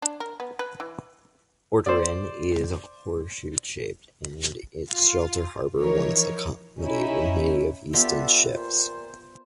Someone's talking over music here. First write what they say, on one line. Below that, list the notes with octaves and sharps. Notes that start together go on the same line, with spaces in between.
Oderin is horse-shoe-shaped and its sheltered harbour once accommodated many of Easton's ships.
D4
A#4
B3
B4
E3
C5 D5
F4
E3 F3 D#4 A#4 C#5
C#4 D#4 E4
D3 B3 F4 G4 E5
A#2 C5